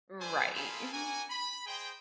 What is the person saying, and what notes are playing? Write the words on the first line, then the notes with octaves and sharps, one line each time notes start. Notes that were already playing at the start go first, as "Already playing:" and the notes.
Right. Mhm.
D4 A4 B4 C5 D5 G#5
A#3 C4 F4 G#4 A4 B5
F#4 A#4 D5 G#5
B5
G#4 C5 D#5 G5